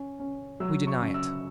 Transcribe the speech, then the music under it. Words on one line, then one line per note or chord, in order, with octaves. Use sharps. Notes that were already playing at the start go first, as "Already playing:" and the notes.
We deny it.
Already playing: C#4
C#4
F#3 E6
C#6
C#3
E6